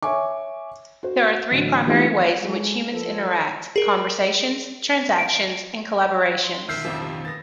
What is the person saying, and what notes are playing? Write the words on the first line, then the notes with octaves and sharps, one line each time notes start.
There are three primary ways in which humans interact: conversations, transactions, and collaborations.
C#5 E5 G#5 C#6 D6
F#4 C5
A1 D3 F#3
E3 G3 A3 C4 D#4 F4
G#3 A4
F3 A4 B4
G#4 A#4
D7
C6
B2 D#3 E5 F6 G6 C7
A1 F2 F3
C3
B3 A6 A#6